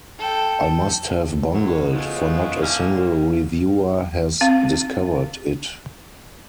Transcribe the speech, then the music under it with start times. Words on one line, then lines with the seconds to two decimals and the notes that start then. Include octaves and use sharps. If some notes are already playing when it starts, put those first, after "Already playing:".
I must have bungled, for not a single reviewer has discovered it.
0.18 A4 G5
1.53 F#2 A2 F#3
1.93 A2 C#3 F3 G#3 B3
2.61 A#2 D3 A#3 C#4 E4
4.41 C4 F5